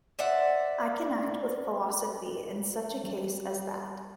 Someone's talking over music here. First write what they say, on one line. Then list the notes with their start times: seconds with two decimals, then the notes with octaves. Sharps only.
I can act with philosophy in such a case as that.
0.19 C5 D5 E5 F#5
3.04 G3